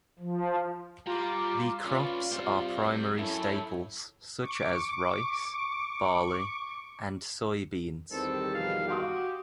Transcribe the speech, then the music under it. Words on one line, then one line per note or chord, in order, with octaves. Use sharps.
The crops are primary staples such as rice, barley, and soybeans.
F3
G3 F4 A#5 D6
C#4 B4 D5
G3 C4
F#2 C#4 E4 A4
C#6 D6
E2 D#3 G3 C4 A4 C5
G#2 B2 F3 F5
F#4 G4 F5 C6 D#6